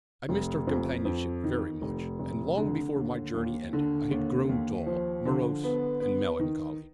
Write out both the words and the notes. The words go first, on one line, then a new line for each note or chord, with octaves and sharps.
I missed her companionship very much, and long before my journey ended, I had grown dull, morose, and melancholy.
F1
F2
F2
D#3
F1
F1
D3
D#2
D#2
D3
D#2
D#2
F3
D3
B3
B3
D#3